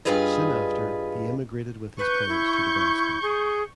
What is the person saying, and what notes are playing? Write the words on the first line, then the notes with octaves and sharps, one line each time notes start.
Soon after he immigrated with his parents to Nebraska.
G2 C3 F4 G#4 B4 D#5
B4 C#6 G6
E4
G#4